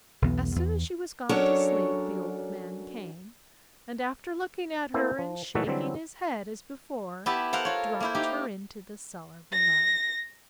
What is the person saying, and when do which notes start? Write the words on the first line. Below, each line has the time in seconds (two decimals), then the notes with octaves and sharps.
As soon as she was gone to sleep the Old Man came, and, after looking at her and shaking his head as before, dropped her into the cellar below.
0.22 B1 E2 B3
0.56 E2
1.29 F#3 C#4 D4 A4 A#4 C#5
4.94 A#3 B3 E4 A4 C5
5.19 F3
5.55 A#2 E3 A3 D#4 F#4 A4
5.67 D3 E3 F#3 G3 C4 A4
7.26 B3 E4 G4 E5 A5
7.53 A4 A#4 C5 F5 F#5
7.65 F4 C#5
8.00 A#3 E4 C5
8.15 D#4 G4
9.53 A#6